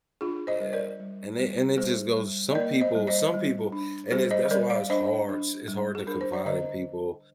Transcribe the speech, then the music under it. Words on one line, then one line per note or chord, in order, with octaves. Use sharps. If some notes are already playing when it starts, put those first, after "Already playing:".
Yeah, and it and it just goes, some people some people, and it's, that's why it's hard to it's hard to confide in people
D4 F4 G#4
C5 D#5
G3
A#4 D5
G3
G3
G3 G#4 C5
G3
D#5
A#3 A#4 D5
C5 D#5
G3
C5 D#5
G3
D4
G3 G#4 C5
C5 D#5
G3 A#4 D5
D5 F5
D4 C5 D#5
D4
G3
G#4
D4 A#4
C5
D5
D3 C5 D#5